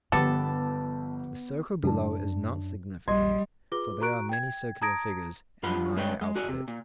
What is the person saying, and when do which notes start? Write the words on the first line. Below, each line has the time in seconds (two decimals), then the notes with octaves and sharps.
The circle below is not significant, for there are many circular figures in the Maya alphabet.
0.12 G1 D3 F3 B3 G4 A4 D6
1.83 F#2 C#3 F#3 G#3 D4
3.08 A#1 G3 D#5 C6 G#6
3.72 F4 G#4 B4 D6 G7
4.01 F#4 A#5 C#6 F#6 D7
4.29 G5 G#6
4.82 A5 A#5 D#6 G#6 A#6 D7
5.63 G2 F3 F4 F#5 B5 C6
5.97 G#3 B4 C#5 G5
6.21 G#3
6.35 F#4 G#4 D5
6.48 C3
6.68 A#2